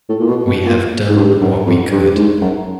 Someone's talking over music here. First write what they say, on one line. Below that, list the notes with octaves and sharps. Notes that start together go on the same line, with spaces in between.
We have done what we could.
A2
A#2
B2
B2
A#2
G#2
G2
F#2
F2
G2
G#2
F#2